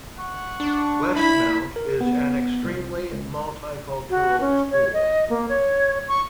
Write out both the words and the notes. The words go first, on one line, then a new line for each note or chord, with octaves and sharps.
Westmount is an extremely multicultural school.
F#5 C#6
D4
E4 E5 B5
A#4
B3
C2
C#2
F#4
C#4
C#5
D#5
A#3
C#5
C#6